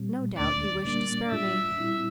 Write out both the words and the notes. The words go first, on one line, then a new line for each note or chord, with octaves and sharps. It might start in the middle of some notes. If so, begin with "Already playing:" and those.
"No doubt he wished to spare me."
Already playing: A#2 G3 C4
D2 D3 A3 D4 D5
A#2 G3 A#3 D4 D5
A2 G3 D4 F4 E5
A#2 G3 C4 E4